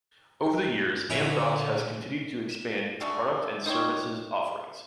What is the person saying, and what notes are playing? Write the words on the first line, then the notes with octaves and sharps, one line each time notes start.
Over the years, Amdocs has continued to expand its product and services offerings.
A#2 D3 C#4 E4
A3 D4 F#4 G#4
D#4 F4 G4 C#5